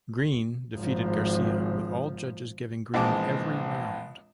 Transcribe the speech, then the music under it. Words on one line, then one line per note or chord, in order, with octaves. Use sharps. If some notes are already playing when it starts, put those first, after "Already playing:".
Green defeated Garcia with all judges giving Green every round.
G#1 F3
A#1 E2 G#3 C4 A5 D6